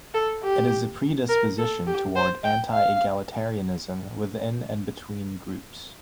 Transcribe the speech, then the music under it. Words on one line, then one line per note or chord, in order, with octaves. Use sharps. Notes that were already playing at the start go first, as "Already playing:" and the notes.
It is a predisposition toward anti-egalitarianism within and between groups.
A4
G4
A#4
A4
G4
C5
G5
F5